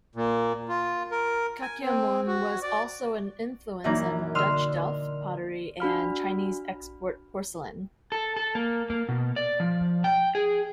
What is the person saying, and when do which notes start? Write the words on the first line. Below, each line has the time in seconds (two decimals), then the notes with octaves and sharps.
Kakiemon was also an influence on Dutch Delft pottery and Chinese export porcelain.
0.16 A#2
0.68 F4
1.12 A#4
1.61 G#5
1.82 C4
2.27 F#4
2.62 D5
3.84 F#2 A#2 E3 D#4 A#5
4.35 D3 D#5 C6 E6 F6
5.80 D4 F#4 B5 F6
8.12 A4
8.36 A4
8.55 A#3
8.90 A#3
9.09 B2
9.36 D5
9.60 F3
10.04 G5
10.35 G#4